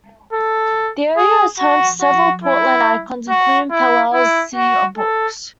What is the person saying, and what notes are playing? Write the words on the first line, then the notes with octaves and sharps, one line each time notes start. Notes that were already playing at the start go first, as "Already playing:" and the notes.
The area is home to several Portland icons, including Powell's City of Books.
A4
G#4
F#4
F#4
E4
F#4
E4
E4
F#4
A4